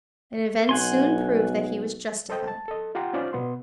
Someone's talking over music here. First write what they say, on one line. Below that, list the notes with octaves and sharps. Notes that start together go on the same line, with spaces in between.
And events soon proved that he was justified.
B1 F#5 G#5 C6
A4 C5 D#5 G5
A5
A4 D#5
F4 G4 F#5 G5 A#5 C6
C#4 D#4 F4 C5 D5
B2 B3 C6